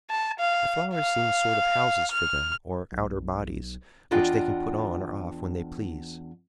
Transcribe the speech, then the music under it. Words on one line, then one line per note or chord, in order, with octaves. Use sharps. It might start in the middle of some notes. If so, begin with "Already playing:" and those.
The flowers seem a sort of houses for them, or outer bodies, which they can put on or off when they please.
A5
F5
F5
F6
B1
E2 D4 F4 D#5 F#5 G5